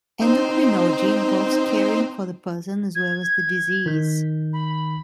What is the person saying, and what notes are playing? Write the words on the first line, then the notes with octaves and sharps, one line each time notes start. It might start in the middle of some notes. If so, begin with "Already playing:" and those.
Endocrinology involves caring for the person as well as the disease.
C4 D#4 C5
G#6
D#3 G6 B6
B5